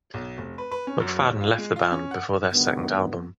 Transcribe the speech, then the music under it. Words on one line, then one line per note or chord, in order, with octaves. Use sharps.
McFadden left the band before their second album.
B1
F1
B4
B4
C#4
F#2
D#2
F4
G#3
F4
C#4
F#5
D2 G2 D#3 B3